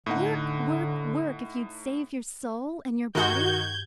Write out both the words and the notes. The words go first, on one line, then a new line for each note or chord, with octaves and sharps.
Work, work, work if you'd save your soul and your body.
A2 D3 D#4 F#5
G2 D#3 F#4 G6 G#6